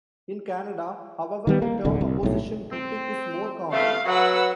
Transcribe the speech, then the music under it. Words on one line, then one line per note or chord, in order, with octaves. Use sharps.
In Canada, however, the term Opposition Critic is more common.
D#3 G3 B3
A#3
D1 C2 D3
C2
B1 A2
C4
E2 G2 A3 F5
F#3 B4 F#5 E6